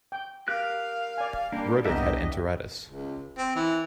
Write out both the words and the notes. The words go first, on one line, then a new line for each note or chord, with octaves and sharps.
Robic had enteritis.
G5
G4 A#4 F5 F#6
D5 G#5
G3 A#3 D4
C2 G3 B3 D4 D#4 G4 D#5 E5
C#2
C4
E3